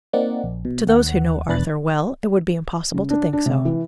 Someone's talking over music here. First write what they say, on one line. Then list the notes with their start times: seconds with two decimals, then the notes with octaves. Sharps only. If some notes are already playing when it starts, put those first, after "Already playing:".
"To those who know Arthur well, it would be impossible to think so."
0.13 A#3 C4 D#4 D5 F#5
0.44 A#1
0.65 B2
0.87 D#2 F#5
1.48 E2 B2 D4 B4 F#6 A6
2.94 C#3
3.10 D4
3.33 D4
3.46 C3
3.65 E3